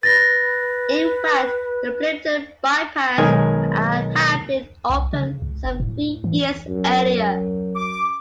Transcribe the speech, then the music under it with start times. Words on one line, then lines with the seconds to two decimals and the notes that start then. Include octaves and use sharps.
In fact, the Plympton bypass had been open some three years earlier.
0.03 B4 A6 A#6
3.18 B1 D#3 G#3 G#5
4.90 C2
5.13 C#3
5.42 C#2
5.65 F1
5.80 A2
6.24 E3
6.69 F#2
7.76 D6